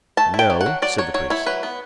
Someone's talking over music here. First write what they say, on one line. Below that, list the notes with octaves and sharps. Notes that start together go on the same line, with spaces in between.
"No," said the priest.
A3 A5
E4
G5
F#3
F#5
F#3
F#3 D5
F#3 C#5
F#3 C#5
E4 C#5
F#3 B4
B3